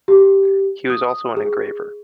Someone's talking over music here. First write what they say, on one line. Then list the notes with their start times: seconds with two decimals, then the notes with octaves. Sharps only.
He was also an engraver.
0.08 G4
0.90 D#6
1.37 G#4